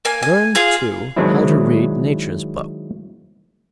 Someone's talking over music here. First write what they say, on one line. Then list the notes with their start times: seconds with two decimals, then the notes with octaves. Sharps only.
Learn, too, how to read Nature's book.
0.05 A#3 G#5
0.23 G#5
0.55 F4 G#4 F5
1.16 D#3 F#3 G#3 C4 D4 E4